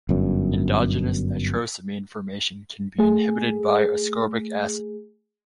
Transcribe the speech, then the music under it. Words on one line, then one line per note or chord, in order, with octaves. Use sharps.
Endogenous nitrosamine formation can be inhibited by ascorbic acid.
G1 F#2
A3 G#4